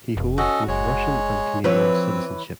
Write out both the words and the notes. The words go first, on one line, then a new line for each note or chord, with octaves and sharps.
He holds both Russian and Canadian citizenship.
F1
C#4 F#4 A4 D#5
F#1 G#3 C#5
E3 F3 C4 B4 C#5